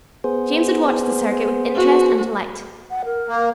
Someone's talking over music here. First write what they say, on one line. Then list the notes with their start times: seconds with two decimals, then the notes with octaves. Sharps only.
James had watched the circuit with interest and delight.
0.24 B3 G#4 C5
1.75 F#4
2.90 F#5
3.05 A#4
3.27 A#3